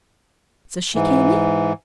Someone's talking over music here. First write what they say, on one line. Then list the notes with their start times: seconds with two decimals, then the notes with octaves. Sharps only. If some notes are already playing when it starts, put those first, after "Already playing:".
So she came in.
0.95 G#2 E3